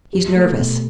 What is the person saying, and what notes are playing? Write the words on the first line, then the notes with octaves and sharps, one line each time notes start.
He's nervous.
G4
A3
B2